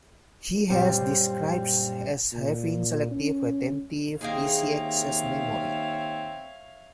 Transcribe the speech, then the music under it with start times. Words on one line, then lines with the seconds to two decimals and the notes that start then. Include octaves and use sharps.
He has been described as having Selective Retentive Easy-Access Memory.
0.70 F#2 A#2 G3 C4
2.33 A#2
3.11 C#4
4.21 D#2 A#3 C4 D#4 G#4 C#5 E5 F5